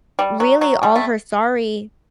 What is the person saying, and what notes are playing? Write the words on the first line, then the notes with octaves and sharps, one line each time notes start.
really all her sorry
G3
F#3
F#3
G3
A3